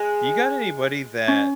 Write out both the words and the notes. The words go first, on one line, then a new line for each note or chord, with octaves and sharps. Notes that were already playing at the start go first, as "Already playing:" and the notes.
Do you got anybody that, uh,
Already playing: G#3
C#4